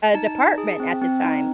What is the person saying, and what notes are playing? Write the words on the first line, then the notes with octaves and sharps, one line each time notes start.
uh, department at the time.
D#4 A5
D#4
G#4
C4
C4
D#4